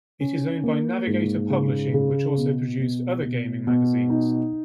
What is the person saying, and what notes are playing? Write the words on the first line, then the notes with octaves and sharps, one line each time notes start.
It is owned by Navigator Publishing, which also produced other gaming magazines.
C#4
A#3
G#2
C#3
C#3
B2
B2
B2
B2
D#4